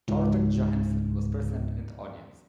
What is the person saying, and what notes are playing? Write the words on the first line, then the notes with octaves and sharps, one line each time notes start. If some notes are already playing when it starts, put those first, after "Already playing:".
Torben Johansen was present in the audience.
C#2 G#2